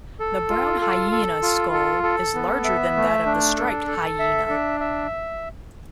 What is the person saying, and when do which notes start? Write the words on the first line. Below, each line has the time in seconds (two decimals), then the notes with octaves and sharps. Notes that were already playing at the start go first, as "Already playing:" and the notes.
The brown hyena's skull is larger than that of the striped hyena.
0.20 A4
0.50 F4
0.81 A4
1.12 A4
1.42 F4
1.73 A4
2.03 A4
2.34 B3
2.65 E5
2.96 A3
3.26 D4
3.57 A4
3.87 A4
4.19 E5
4.50 D4
4.80 E5